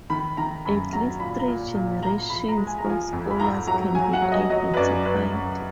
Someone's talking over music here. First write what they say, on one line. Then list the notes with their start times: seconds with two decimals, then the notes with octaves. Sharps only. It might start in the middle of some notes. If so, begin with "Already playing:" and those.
At least three generations of scholars can be identified.
0.10 D#3 B5
0.37 D#3 A#5
0.65 F#2 B5
0.93 F#3 A#5
1.20 A#2 B5
1.39 A#5
1.48 A#2
1.75 A#2
2.03 F3 A#5
2.30 F3 B5
2.48 A#5
2.57 G#3
2.67 G#5
2.78 A#5
2.84 F3
2.90 G#5
3.13 F2
3.30 B5
3.40 G#2 A#5
3.67 F#3 A#5
3.95 F#3 G#5
4.13 F#5
4.22 F#3
4.32 D#5
4.50 F#3 D#5
4.74 B4
4.77 F#2 D5
5.05 F#2 B4
5.32 F#2